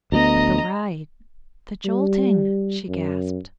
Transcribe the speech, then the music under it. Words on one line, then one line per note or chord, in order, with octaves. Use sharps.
"But the ride--the jolting," she gasped.
D2 G#3 B3 D#5 A#5
G3
F#2